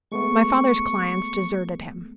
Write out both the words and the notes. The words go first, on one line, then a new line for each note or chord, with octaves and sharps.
My father's clients deserted him.
G#3 A3 B3 C#6